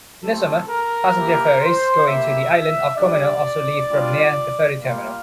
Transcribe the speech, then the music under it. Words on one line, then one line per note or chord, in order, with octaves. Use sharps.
In the summer, passenger ferries going to the island of Comino also leave from near the ferry terminal.
A3 C4 E4 G4 A4
A#4
A#3 E4 G4
C5
A#3 E4 G4 E5
E5
G3 D4 G4 D5
G3 D4 F4
G3 A#3 F4 F5